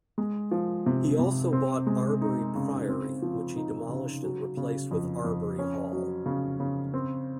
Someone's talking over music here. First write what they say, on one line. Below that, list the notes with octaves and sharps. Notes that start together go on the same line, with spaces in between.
He also bought Arbury Priory, which he demolished and replaced with Arbury Hall.
G#3
F3
C3
C3
C4
G#3
D#4
C#3
C4
F3
D#4
C#3
F#3
C#3
F2
F2
C#4
F#3
C#3
C#3
C4